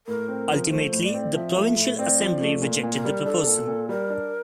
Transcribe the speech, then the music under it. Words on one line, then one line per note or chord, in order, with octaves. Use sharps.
Ultimately the provincial assembly rejected the proposal.
A2 A#4
C4
F3
A3 C5
A2
D5
C4
F3 E5
A3
A2
C4 D5
F3
A3
A#2
A#2
A#4
G3
D4 A4
A#2
A#2
G3 A#4
D4